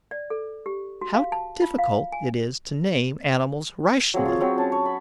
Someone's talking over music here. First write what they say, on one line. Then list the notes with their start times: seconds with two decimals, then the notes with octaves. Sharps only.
How difficult it is to name animals rationally!
0.11 D5
0.30 A4
0.66 G4
1.01 F#4
1.14 F5
1.32 A5
1.62 F4
1.78 F5
2.12 G#5
4.14 F#3 A#3 C4 G#4
4.25 F4 C#5
4.40 F#3 C4
4.58 C#4 A5
4.72 C#5
4.86 B5